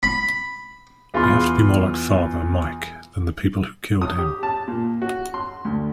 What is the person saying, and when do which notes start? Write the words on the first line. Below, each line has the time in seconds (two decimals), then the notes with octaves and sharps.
We have to be more like Father Mike than the people who killed him.
0.03 B5
1.14 E2 F4 G#4 B5 C6
4.02 D#6
4.18 G4
4.43 A5
4.68 A#2
5.02 F#4
5.34 C6
5.65 D2